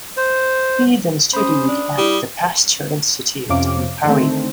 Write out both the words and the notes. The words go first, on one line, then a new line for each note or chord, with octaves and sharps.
He then studied at the Pasteur Institute in Paris.
C5
C#4 C5 B5 D#6
D4
G3 E4 D#6
F2 C3 C#4 F5 D6
D3 D#3 A3 C4